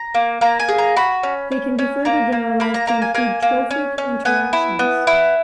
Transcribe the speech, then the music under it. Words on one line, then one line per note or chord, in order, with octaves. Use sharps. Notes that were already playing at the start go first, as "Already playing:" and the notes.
They can be further generalised to include trophic interactions.
Already playing: A#5
A#3
A#3 A#5
G#5
G#4
A#5
F#4 B5
C#4
C#4
C#4
A#3 A#5
A#3
A#3 B5
A#5
A#3 A#5
G#5
A#3 G#5
A#3
C#4
C#4
B3 G#5
E4
B3
E4